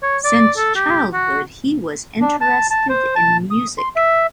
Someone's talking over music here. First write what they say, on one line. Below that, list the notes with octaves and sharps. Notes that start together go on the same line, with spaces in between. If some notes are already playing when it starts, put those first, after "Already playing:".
Since childhood he was interested in music.
C#5
D5
A4
G4
F#4
D4
A5
A5
C5
A5
D#6
C6
E5